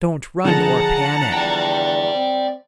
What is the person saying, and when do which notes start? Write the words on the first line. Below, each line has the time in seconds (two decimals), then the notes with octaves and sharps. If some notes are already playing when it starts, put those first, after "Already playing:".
Don't run or panic.
0.45 D3 F3 G#4 F#5 A5 A#5
1.33 E2 D5 G5
2.14 C4